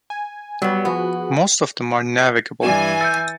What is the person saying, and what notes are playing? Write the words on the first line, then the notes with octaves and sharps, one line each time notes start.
Most of them are navigable.
G#5
F#3 G3 B3
F3 B3 F#4 G#4
G2 E3 D5 G#5 E7
E6 G6 A6 C#7